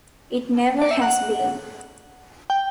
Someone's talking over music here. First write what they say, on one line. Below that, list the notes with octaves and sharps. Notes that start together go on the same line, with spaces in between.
It never has been.
D5
E5
F#5
G5